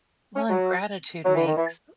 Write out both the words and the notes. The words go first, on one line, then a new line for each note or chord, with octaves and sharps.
Well, and gratitude makes
C#4
F#3
F#3
E3
D#3
E3